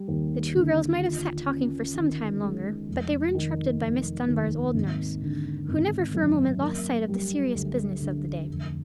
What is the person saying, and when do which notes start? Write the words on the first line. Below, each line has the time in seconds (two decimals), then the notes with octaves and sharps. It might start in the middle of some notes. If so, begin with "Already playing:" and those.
The two girls might have sat talking for some time longer, but they were interrupted by Miss Dunbar's old nurse, who never for a moment lost sight of the serious business of the day.
Already playing: G3
0.08 D#2
0.55 D3
1.01 F4
1.49 C#4
1.95 D#3
2.42 G#3
2.89 F1
3.35 D#3
3.82 F1
4.28 D#2
4.75 G#1
5.22 D3
5.68 G#1
6.14 F#2
6.61 A#3
7.08 G3
7.55 D2
8.01 D3
8.48 F1